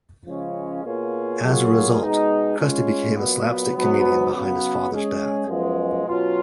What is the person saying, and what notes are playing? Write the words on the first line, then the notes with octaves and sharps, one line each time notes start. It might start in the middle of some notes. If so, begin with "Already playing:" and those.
As a result, Krusty became a slapstick comedian behind his father's back.
C#3 F3 G#3 C#4
B2 A#3 F4 G#4 C#5
F#3 A#3 F4 G#4 C#5
B2 G#3 D#4
G#3 C#4 F4 G#4 C#5
A#2 F#3 B3
G#2 F#3 B3
C#3 F#3 B3
G#3 C#4 G#4 C#5
F#2 F3 G#3 B3
B2 F#3 C#4 F4